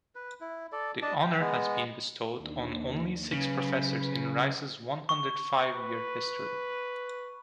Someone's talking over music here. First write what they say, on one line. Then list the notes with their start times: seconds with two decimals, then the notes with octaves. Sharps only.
The honor has been bestowed on only six professors in Rice's one-hundred-five-year history.
0.15 B4
0.41 E4
0.72 A4 D5
1.02 D4 D5 D#5 A5
1.22 G5
1.40 G#3 B3
2.35 D#2 D4
3.33 C#3 F#3 B4
5.09 C#6
5.72 B4